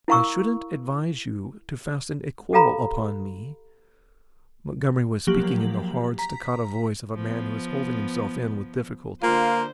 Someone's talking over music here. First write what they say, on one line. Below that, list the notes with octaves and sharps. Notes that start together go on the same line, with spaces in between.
"I shouldn't advise you to fasten a quarrel upon me." Montgomery was speaking in the hard, staccato voice of a man who is holding himself in with difficulty.
E4 A#4 F5 A#5 C#6 E6
G4 A4 F5 A#5 B5
F3 F#3 A#3 G4 F#7
A#5 B6
F3 B3
D3 A#3 F4 C5